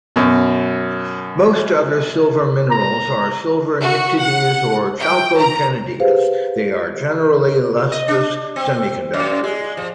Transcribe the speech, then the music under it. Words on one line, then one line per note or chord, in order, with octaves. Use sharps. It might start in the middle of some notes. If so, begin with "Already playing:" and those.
Most other silver minerals are silver pnictides or chalcogenides; they are generally lustrous semiconductors.
F#2 B2
A#5
F#4
F#5
G5
A#5
G4 G#4 B4 C5 F5
D#5
D4
C4
F#2
G#3
F3